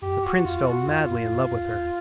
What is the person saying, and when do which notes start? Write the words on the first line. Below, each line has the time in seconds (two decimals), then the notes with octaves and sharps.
The prince fell madly in love with her.
0.02 F#2 G4
0.24 F#4
0.45 F2 F4
0.66 F#4
0.87 F2 F4
1.09 F#2
1.30 F#2
1.51 F2
1.72 E2